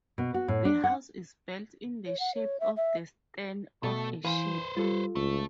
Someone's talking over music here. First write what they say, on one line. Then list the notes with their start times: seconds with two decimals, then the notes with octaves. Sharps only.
The house is built in the shape of the stern of a ship.
0.18 B2
0.34 F#4
0.48 A2
0.65 D4
0.84 F#5
2.06 C#5
2.20 F#5
2.35 C#5
2.60 E5
2.77 E5
3.83 B2 A3 A4
4.25 E3 B4 C5 F5 G#5 B5
4.77 G3 F4 A4
5.16 C#2 A3